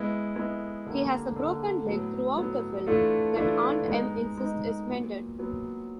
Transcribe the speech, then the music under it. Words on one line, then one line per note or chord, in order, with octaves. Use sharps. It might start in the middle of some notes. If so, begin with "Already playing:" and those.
He has a broken leg throughout the film that Aunt Em insists is mended.
Already playing: G#3 B3 E4
G#3 B3 E4
D3 G3 A#3
D3 G3 A#3
A2 F#3 B3
A2 F#3 B3
E3 A3 D4 F4 A4
E3 A3 D4 F4 A4
G#3 B3 D#4
G#3 B3 D#4
A#2 F#3 B3
A#2 F#3 B3